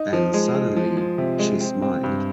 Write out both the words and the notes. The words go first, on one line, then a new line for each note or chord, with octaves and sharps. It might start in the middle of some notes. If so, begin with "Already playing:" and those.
And suddenly she smiled.
Already playing: D#4
F3
G#3
G#3
F3
F3
C3
G#3
C4
C4
G2